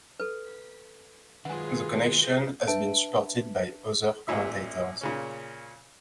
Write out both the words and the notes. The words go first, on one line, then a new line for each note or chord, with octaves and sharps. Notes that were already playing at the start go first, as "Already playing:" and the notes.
The connection has been supported by some other commentators.
A4 B4
D#3 F#3 G#3 F4 G#4 B4 F#5 G#5
D4 B4 E5 A5 D7
A1 A#2 E5
A#2 C#3 C#4